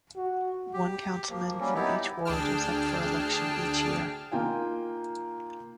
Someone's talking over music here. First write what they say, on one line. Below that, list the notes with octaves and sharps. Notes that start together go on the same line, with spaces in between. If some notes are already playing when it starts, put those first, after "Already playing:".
One councilman from each ward is up for election each year.
F#4
G4
F3 A#3
F#3 G3 A#3 C#4
B3 D#4 E4 G4
D2 D4 G#4 G5 A5 F6
A#3 D#4 F4 G5 G#5